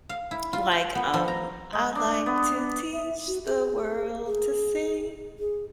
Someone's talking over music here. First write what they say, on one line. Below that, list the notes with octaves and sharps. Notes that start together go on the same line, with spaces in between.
like, um, "I like to teach the world to sing
F5
E4
F4
G5
B3
F3
A#5
G#3
D4
B3
E5
F#4
G#4
G#4
G#4